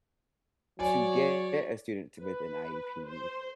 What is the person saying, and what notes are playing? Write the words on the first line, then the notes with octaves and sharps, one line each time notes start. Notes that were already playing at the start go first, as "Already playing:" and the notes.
To get a student with an IEP,
F#3 C#5 D5 G#5
B4
C5